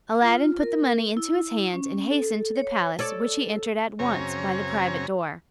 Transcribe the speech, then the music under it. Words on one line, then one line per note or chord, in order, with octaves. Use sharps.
Aladdin put the money into his hand, and hastened to the palace, which he entered at once by the private door.
F4
A#4
E4
C#4
A4
C#5
A4 C#5 D5
F#2 C#3 C4 C#5 G#5 A#5